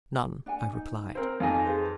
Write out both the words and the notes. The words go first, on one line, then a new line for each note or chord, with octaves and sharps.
"None," I replied.
D4 F#5 G#5
D#4
C4 A#4 C5
F2 D#4 F5 G#5 A#6
G#4 B4 C5